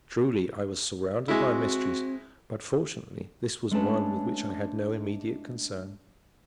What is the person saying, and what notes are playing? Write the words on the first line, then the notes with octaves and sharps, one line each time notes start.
Truly I was surrounded by mysteries, but fortunately this was one with which I had no immediate concern.
G#3 C4 E4 F#4
G#3 A3 C#4 D4 B4 A5